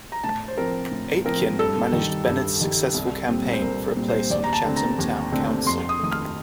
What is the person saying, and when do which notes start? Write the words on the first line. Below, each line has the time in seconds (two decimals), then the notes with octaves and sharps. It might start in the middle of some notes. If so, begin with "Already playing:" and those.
Aitken managed Bennett's successful campaign for a place on Chatham Town Council.
0.12 A#5
0.24 A2 A5
0.48 C5
0.57 F3 C4 A#4
0.91 A2
1.25 F3 C4 A#4
1.59 G2 A4
1.92 D#3 G3
2.26 G2
2.61 D#3 G3
2.94 C2
3.28 A#2 G3 C4
3.53 C5
3.62 C2 A#4
3.97 A#2 G3 C4
4.08 C5
4.30 D#2 D5
4.44 A#5
4.53 A5
4.65 D3 A3 C4
4.76 A#5
4.99 D#2
5.32 D3 A3 C4
5.66 F2 C6
5.89 D#6
6.00 D#3 A3 D#6
6.12 F6